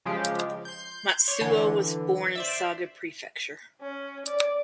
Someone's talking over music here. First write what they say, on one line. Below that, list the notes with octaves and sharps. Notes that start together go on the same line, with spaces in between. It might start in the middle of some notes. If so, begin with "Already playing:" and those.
Matsuo was born in Saga Prefecture.
C#3 F3 G#3 G4
C6 G6
C#5 C6 D6 G6
D3 E3
C5 D5 E5
C#4
D5